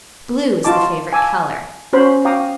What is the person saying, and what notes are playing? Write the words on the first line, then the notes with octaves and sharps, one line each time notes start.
Blue is the favorite color.
F4 F#4 D#5 A5 D6
F5 G#5 A5 D6 E6
C#4 F#4 C5 B5
F#4 F5 G5 A#5 D6 D#6